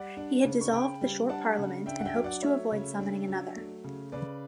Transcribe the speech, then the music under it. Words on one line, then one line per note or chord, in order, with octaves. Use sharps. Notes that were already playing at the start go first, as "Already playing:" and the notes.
He had dissolved the Short Parliament and hoped to avoid summoning another.
Already playing: G3 D5 F#5
D4
C#3
C#6
C#3 G5 B5
G3
D4 F#5 A5
C#3
D4 E5 G5
F#5
E5 G5
F#3
D5 F#5
A3 C#5 E5
C#3
D4
F#3
A3
C#3
C#3 B4 D5